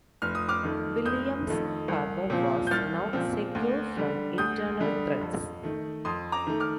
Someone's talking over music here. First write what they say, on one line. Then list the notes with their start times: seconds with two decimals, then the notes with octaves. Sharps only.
William's power was now secure from internal threats.
0.22 F1 F6
0.35 D#6
0.49 D6 F6
0.63 F2 D#3 A3
1.05 F1 D#6 G6
1.47 F2 D#3 A3
1.88 C2
2.30 A#2 F3 C4
2.67 G6
2.71 C2 F6 A6
3.13 A#2 F3 C4
3.55 D2
3.96 D3 G3
4.38 D2 D#6 G6
4.80 D3 G3
5.21 F2
5.63 D#3 A3
6.05 F2 C6 D#6
6.32 A#5 D6
6.47 D#3 A3
6.60 D6 F6